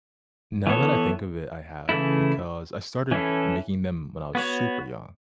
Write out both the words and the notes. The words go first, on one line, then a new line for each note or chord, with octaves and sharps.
Now that I think of it, I have, because I started making them when I was super young,
E3 B3 A4 C#5
C#3 E3 A3 E4
E3 C#4 E4 A4
B3 F#4 C#5